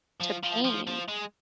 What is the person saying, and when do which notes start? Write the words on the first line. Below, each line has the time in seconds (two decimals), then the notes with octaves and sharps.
to pain.
0.21 F3
0.43 F3
0.64 F3
0.87 F3
1.08 G#3